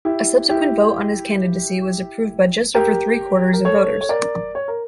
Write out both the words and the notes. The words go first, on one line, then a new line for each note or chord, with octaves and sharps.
A subsequent vote on his candidacy was approved by just over three-quarters of voters.
E4 G4
E4 G4
G4 A#4
A#4
A4 C#5
C#5
A#4 D5
C#5
A#4